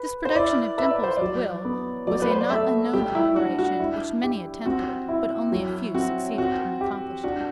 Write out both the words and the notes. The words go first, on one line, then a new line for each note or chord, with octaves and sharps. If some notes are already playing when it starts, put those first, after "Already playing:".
This production of dimples at will was a not unknown operation, which many attempted, but only a few succeeded in accomplishing.
Already playing: B4
C5
E4 D5
B4 E5
D5
C5
F#3 D5
B3
F#3 D5
B4
C5
D5
A3 E5
G3 G4
E4
D4 F#4
F#4
E4
G4
C4 F#4
E4
F#3
C4 F#4
C4 F#4
G4
D4 F#4